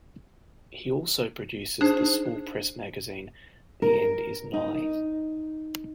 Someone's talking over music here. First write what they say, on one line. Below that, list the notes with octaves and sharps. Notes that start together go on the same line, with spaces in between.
He also produces the small press magazine "The End Is Nigh".
D4 D#4 G#4 C5
A#4
D#4